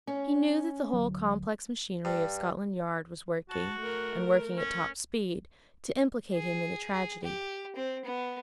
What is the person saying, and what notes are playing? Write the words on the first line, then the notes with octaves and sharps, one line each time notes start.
He knew that the whole complex machinery of Scotland Yard was working, and working at top speed, to implicate him in the tragedy.
C#4
D2 F#3
G2
F#4 A5
A3 A#4
C#4
G#4
G#4
G4
C4
B3